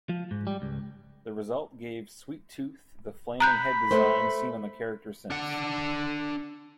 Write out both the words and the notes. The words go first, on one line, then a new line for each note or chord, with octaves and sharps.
The result gave Sweet Tooth the flaming head design seen on the character since.
F3
G#2
G3
C#2
A#5 B5 F#6 G6
A3 B4 C5
D4 F#5